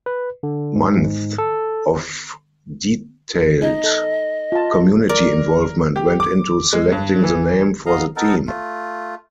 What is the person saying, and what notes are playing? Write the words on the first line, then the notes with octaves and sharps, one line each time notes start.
Months of detailed community involvement went into selecting the name for the team.
B4
D3
G#2
A4
D#4 D#5
A4
F4 A5
A#4 D5
G4
D6
G#3
G2
E3
B3 D#5 F5 A#5
B3 D#4 A4 A#4
A3 F4